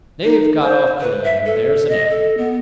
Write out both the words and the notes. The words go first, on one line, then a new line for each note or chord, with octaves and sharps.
They've got off clean, and there's an end.
D#4
C5
B4
E5
A4
D#5
A4
B3